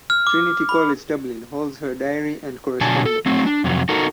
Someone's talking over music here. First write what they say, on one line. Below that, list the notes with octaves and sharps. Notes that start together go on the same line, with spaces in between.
Trinity College Dublin holds her diary and correspondence.
F6
D6
B5
B2 D3 F#3 D4 G#5 A5
A4
F#3 A3 C4
D4
F2 C3 F#3
D#4 F#4 A4 A#4